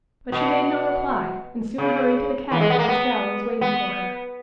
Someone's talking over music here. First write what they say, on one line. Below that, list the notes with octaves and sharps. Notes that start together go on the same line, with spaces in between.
But she made no reply, and soon hurried to the cabin where Estralla was waiting for her.
B2
C#3
E3
G#3
B3
A#3
B3
B3